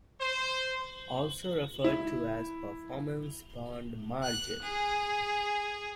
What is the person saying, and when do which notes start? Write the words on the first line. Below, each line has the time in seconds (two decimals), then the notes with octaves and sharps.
Also referred to as performance bond margin.
0.21 C5
1.84 E4
4.23 F#6
4.63 G#4